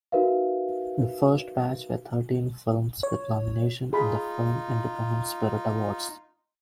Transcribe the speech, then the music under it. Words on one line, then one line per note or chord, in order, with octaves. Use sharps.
The first batch were thirteen films with nominations in the Film Independent Spirit Awards.
D#4 F#4 A#4 B4 E5 F5
C#5
D#4 F4 G#4 B5